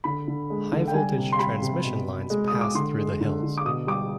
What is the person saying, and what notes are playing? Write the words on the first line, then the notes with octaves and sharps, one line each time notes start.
High-voltage transmission lines pass through the hills.
D3 B5
D3
G#3
D3
G5
G3 G#5
C3
C6
G3 B5
C3
B2
B2
G#3
G#3 D#6
D6
D3 C6
G#3
D3
D3
D6
B2 D#6
G3 D6